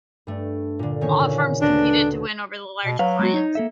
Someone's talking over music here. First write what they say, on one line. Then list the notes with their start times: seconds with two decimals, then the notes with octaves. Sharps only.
Law firms competed to win over the large client.
0.27 G2 A3
0.79 A#2 D3
1.01 D#3 C#4 C#5
1.19 A#2 C#3
1.62 D2 D4 B4 A#6
2.85 B2
2.99 F#3 B4 F5
3.19 G#3 B3 F#4
3.34 D#4 C#5
3.55 A#3 A4 E5